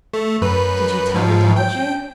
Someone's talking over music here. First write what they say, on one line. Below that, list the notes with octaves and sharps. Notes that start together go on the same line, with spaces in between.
"Did you tell the Dowager?"
A3
F#2 B4
G#2 F3
G5